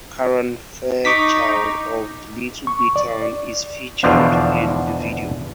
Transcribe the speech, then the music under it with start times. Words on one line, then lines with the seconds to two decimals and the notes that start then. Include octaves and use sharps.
Karen Fairchild of Little Big Town is featured in the video.
1.05 D#4 C#6 D6 B6
2.67 C#6
2.96 D5
4.03 E2 B2 D3 F3 D4 F5